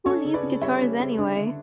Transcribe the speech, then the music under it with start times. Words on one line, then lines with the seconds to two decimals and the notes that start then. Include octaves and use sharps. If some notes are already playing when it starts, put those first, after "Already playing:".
Who Needs Guitars Anyway?
0.06 C#4 A4 C#5
0.24 C#3
0.34 B4 D5
0.43 C#3
0.62 G3 C#5 E5
0.81 C#4
1.00 C#3
1.18 D4
1.36 D3